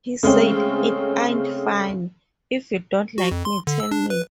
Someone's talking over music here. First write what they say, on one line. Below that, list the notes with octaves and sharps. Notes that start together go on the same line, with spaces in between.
He said, It ain't funny...if you don't like me, tell me.
C#3 G#3 A3 C4 C#4
F#4
F2
C6
D3
E6
D4
B4